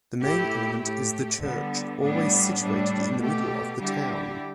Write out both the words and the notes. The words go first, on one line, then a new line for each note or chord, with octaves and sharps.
The main element is the church, always situated in the middle of the town.
A2 A3 E4 G4
A2 A3 G4
D3 G3 B3
A2 G3 B3 D4
A2 G3 D4
B2 A3 G4
D3 G3 E4 G4